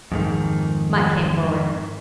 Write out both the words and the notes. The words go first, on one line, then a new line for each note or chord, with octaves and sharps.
Mike came forward.
F2 G#2 D#3